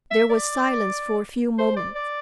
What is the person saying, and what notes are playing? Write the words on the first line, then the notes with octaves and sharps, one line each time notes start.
There was silence for a few moments.
E5
D5
C5
D5
D5